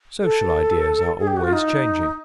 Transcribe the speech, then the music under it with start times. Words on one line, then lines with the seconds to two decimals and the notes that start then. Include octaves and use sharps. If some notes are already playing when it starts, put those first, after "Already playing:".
Social ideas are always changing.
0.22 A4
1.19 G#4
1.27 G4
1.37 F#4
1.44 F4
1.53 D#4